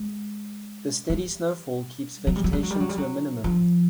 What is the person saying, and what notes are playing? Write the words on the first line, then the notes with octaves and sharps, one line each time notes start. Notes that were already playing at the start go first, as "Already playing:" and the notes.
The steady snowfall keeps vegetation to a minimum.
Already playing: G#3
G3
F#3
G3
F#3
G3
F#3
G3
F#3
G3
F#3
F3